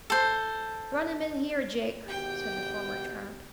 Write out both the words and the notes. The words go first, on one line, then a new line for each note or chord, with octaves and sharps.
"Run him in here, Jake," said the former tramp.
A4 C5
G#1 B2 G4 G5